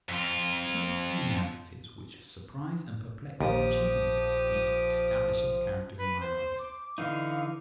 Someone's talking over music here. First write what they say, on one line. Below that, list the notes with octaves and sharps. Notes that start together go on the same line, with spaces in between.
The very peculiarities which surprise and perplex Chief Inspector Heat establish its character in my eyes.
F2 F4
A#1 D#2 F3 G4 D#6
B4
C5
D6
D3 E3 D#4 F5